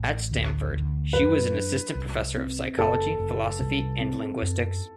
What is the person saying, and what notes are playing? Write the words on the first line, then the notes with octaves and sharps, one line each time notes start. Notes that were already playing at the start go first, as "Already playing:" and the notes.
At Stanford, she was an assistant professor of psychology, philosophy, and linguistics.
Already playing: A1
D2
D2
F#2 B4
D4
C2
C4
F#1 A4
F#1
C2
C4
F#2